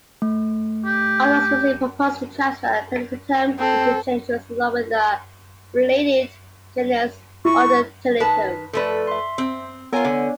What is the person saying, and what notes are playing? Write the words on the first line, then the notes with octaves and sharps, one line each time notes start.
Authors recently proposed to transfer "Pennisetum" into "Cenchrus", along with the related genus "Odontelytrum".
A3
G4
C4 A4
E4 C#6
D#3 B4 A5
F3 A3 A4 B4 D5
E5 C6
C4
B3 F4 A#4 C#5 G#5
D3